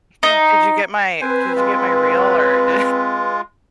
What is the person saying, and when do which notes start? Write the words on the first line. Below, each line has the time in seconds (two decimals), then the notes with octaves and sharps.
Okay. Did you get my did you get my reel or, d
0.23 D#4
1.21 C4 B4 C5 G#5
1.56 G#3 F4